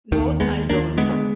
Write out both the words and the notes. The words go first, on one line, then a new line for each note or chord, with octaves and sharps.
Both are zones.
D#2 D#3
D#2 G#3 B3
D#2 A#3 D4
D3 G#3 B3